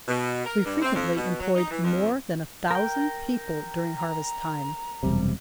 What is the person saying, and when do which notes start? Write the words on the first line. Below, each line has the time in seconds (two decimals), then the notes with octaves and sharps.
We frequently employed more than a thousand people during harvest time.
0.07 B2
0.45 A#4
0.65 G2
0.82 C4
0.94 F2
1.15 B2
1.40 F#3
1.55 D#4
1.71 E3
1.84 F2
2.71 A#4 G5
3.97 A#5
5.03 E1 F#2 C3 G3